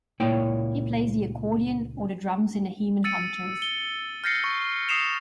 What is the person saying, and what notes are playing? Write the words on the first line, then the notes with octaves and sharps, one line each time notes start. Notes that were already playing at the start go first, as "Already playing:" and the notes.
He plays the accordion or the drums in the Heman Hunters.
C#2 A#2 A#3 E4 C#5 G5
E6 A6 C#7 D#7
G7
F6 G6 A6 A#6 C7 C#7
C#6
D#6 C7 C#7 E7 F7